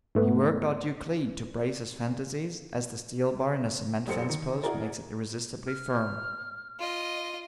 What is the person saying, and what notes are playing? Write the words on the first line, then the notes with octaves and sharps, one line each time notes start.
He worked out Euclid to brace his fantasies, as the steel bar in a cement fence-post makes it irresistibly firm.
G#2 A3 B3
A1 F#2 G4 A4 C5 C#7
D#3
E4 F#4 G#4 A#4 D5
F6
F4 D#5